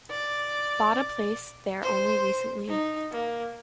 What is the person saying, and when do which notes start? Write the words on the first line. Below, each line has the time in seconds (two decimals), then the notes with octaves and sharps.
Bought a place there only recently.
0.10 D5
1.83 C5
2.68 D#4
3.12 A#3